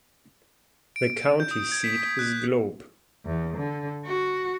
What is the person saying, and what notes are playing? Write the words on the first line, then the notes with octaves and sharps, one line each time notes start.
The county seat is Globe.
D7
G6
D#6
G#6
B6
F#6
E2
D3
F#4